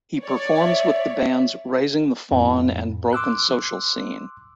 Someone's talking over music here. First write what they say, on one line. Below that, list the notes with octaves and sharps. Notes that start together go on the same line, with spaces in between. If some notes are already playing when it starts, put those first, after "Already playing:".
He performs with the bands Raising the Fawn and Broken Social Scene.
C#5 D5
E5
F2 A2
C6 D6 E6 F#6